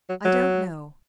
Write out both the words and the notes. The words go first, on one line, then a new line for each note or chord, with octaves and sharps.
I don't know.
F#3
F#3